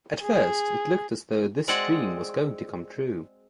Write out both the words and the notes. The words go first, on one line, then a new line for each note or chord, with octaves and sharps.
At first, it looked as though this dream was going to come true.
G#4
G#3 C4 F#4 G#4 D5 F#5